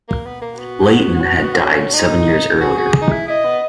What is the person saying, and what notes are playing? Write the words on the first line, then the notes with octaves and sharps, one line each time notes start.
Leighton had died seven years earlier.
A#3
B3
A#3
B3 F#4
C#4
B3
C#4
D#4
F#4 G#4
F#4
D#4
E4
E4 D#5
B3